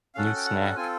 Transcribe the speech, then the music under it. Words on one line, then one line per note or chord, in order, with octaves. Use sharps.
New snack.
C#4 F#4 A4 F5
F#5
G5
F#5
F#5
C4 F4 A4 G#5